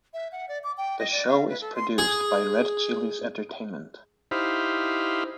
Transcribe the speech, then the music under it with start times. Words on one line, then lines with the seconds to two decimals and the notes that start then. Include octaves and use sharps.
The show is produced by Red Chilies Entertainment.
0.14 E5
0.32 F#5
0.49 D5
0.64 D6
0.78 G5
0.99 D#5
1.12 D5
1.28 F5
1.48 B4
1.61 A4
1.75 C6
1.98 G#4
4.31 D#4 E4 G4 C5 F5 B5